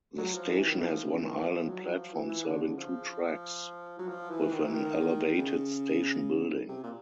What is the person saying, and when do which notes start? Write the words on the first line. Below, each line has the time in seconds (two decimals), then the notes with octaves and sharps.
The station has one island platform serving two tracks, with an elevated station building.
0.18 F#3
0.34 F3
0.50 E3
0.66 D#3
0.79 E3
0.82 F3
1.04 C#3
1.16 E3
1.26 D#3
1.47 F3
1.69 F#3
1.83 F#3
1.92 F3
2.13 E3
2.29 E3
2.45 D3
2.61 C#3
2.77 F3
3.99 F#3
4.08 F3
4.30 E3
4.52 D#3
4.68 E3
4.73 D#3
5.38 C#3
6.68 C3
6.83 A#2